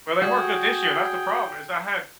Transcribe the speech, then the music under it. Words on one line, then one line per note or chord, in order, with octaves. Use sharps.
Well, they weren't good this year, and that's the problem is I had
G3 F#4 G#4 G5